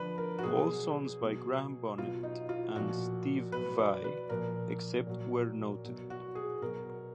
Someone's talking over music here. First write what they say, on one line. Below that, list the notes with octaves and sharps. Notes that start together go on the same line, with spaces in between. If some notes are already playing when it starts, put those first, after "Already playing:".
All songs by Graham Bonnet and Steve Vai, except where noted.
Already playing: D3 F3 B4 D5
A#4
F#4
B2 F#3 G#4
B2 F#3
B2 F#3 F4
D#4
F4
A#2 F3 F#4
B2 F#3 B4
D5
B4
A#2 F3 A#4
A#2 F#3
B2 F#3
F#4
G#4
B2 F#3 A#4